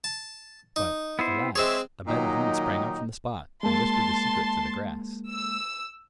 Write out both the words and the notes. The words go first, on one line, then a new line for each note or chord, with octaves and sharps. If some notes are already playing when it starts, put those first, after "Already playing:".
But, alas, a bed of reeds sprang up from the spot, and whispered the secret to the grass.
A5
D#4
B3 E4 C5
G#3 C4 G#4 C#5 E5
A#2 D#3 F#3 D#4 D#5 G5
G#3 A#3 A5 C6
E6